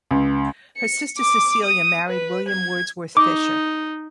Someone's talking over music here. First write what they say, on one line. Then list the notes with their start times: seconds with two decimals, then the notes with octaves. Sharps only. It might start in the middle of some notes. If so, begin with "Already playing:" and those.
Her sister Cecilia married William Wordsworth Fisher.
0.11 C#2
0.77 C#7
1.18 D6
1.64 D#6
2.09 B4
2.48 G#6
3.17 D#4 D6